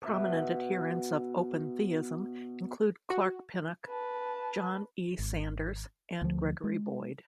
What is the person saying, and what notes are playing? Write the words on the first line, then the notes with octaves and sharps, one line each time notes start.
Prominent adherents of open theism include Clark Pinnock, John E. Sanders and Gregory Boyd.
B2 E5
F#4
B4 A5
G#1
D2 F3
G#3